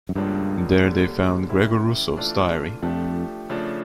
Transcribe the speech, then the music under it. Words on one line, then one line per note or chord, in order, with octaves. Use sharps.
There they found Gregor Russoff's diary.
F#2
C#2 G2 C#3 F3 A#3 D4
D#2 D3 G3
D#3 G#3 C#4 E4
E3 A3 D4 F4 A4
F2 F3 A3 D4 G4
C#3 F3 A3 D4